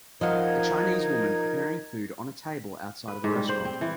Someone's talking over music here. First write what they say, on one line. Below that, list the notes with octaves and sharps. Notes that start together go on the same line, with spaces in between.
A Chinese woman preparing food on a table outside of a restaurant.
F3 D#4 A#4 D#5 F5 F#5 G#6
B4
G#2
G3
C5
C4
E3